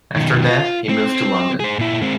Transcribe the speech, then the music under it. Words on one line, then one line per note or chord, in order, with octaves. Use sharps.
After that, he moved to London.
B2 D#3
F4
C4
G#4 C5
A#2 E4
G#3 C4